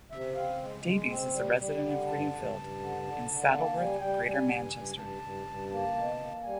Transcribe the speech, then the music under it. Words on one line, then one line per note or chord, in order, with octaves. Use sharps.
Davies is a resident of Greenfield, in Saddleworth, Greater Manchester.
C3 E5
C4 F5
G#3
G#3
C4
G3
G3
D3
G2 A5
G2
G2
D3
D3
D3
A#3 A5
G3 G#5
G3 G5
G3 G#5
G2
G2
G2 A5
G2
G2
A#3 A5
B2
A#3
G3 G#5